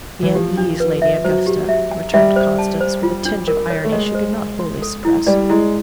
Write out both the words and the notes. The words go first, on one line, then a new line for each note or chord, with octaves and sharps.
"Be at ease, Lady Augusta," returned Constance, with a tinge of irony she could not wholly suppress.
E3
F3 G4
D4
B4
E5
F#3 C5
G4
E5
G#5
G3 E5
C5
A5
C5
F4
D4
A#4
C#5
A3
G#3 D#5
C5
G#5
C6
A4
E4
G3 D5
G#3 E4